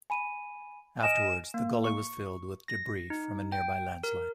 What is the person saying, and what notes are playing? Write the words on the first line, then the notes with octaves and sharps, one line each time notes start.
Afterwards, the gully was filled with debris from a nearby landslide.
G#5 B5 D#7
D#5 G#5 F6 D7 E7
A#3
C#6
A#6
D#4
G5
A#4